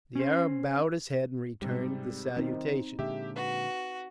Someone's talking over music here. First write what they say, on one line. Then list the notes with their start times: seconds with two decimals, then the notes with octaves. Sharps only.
The Arab bowed his head and returned the salutation.
0.15 C#4 C5
1.62 G#2 C3 G3
2.37 D#3 C4 D#4
2.99 A#2 D3 G#3 G4 E5
3.36 F#4 B4